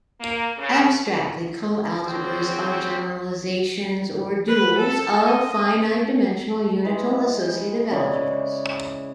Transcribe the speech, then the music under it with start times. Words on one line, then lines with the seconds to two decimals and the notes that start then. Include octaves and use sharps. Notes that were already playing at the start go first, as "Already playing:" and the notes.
Abstractly, coalgebras are generalizations, or duals, of finite-dimensional unital associative algebras.
0.20 A#3
0.58 C#3
2.06 G3 C4 C#4 F#4 G#4 G5
4.48 B4
4.78 A4
5.26 D#5
6.85 E3 G#3
7.91 C#3 G#3 E4 D5